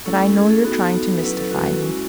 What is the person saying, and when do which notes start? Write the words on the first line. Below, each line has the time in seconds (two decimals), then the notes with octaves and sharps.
"But I know you're trying to mystify me."
0.05 A3 C#4 E4 A4
0.35 G#4
0.50 A4
0.65 B3 D#4 F#4
1.22 F#3 C#4 E4 B4
1.37 A4
1.52 F#4
1.81 G#3 C#4 E4